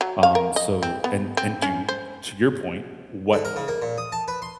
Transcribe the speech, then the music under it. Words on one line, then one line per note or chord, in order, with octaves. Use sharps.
um, so, and and do to your point, what
F#3
F5
A#4
D#5
C4
B3
C4
C#4
C5
D3
A#4
C#3
A#3
A#2
D#6
A5
B4
C6